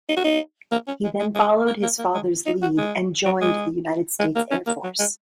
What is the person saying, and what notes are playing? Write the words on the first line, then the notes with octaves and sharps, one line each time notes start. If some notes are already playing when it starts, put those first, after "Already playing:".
He then followed his father's lead and joined the United States Air Force.
D#4
F#4
D#4
A#3
C#4
G#3
G#3
G#3
A#3
A#3
A#3
G#3
D#4
F#4
G#3
F#3
G#3
G#3
A#3
C#4
A#3
F#3
G#3